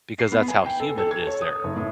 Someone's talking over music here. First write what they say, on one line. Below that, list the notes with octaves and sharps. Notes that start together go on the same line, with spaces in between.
because that's how humid it is there.
C7
B3
G#5
G5
A4
A4
G#6
C#5
D#6
F#1
A2